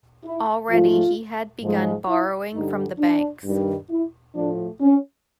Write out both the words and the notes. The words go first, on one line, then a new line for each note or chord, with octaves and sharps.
Already he had begun borrowing from the banks.
E4
G#2 F3 A3 F4
G#2 F3 G#3
E4
G2 D3 G3 D#4
D4
G2 D#3 G3
E4
A2 F3 A3 D4
C#4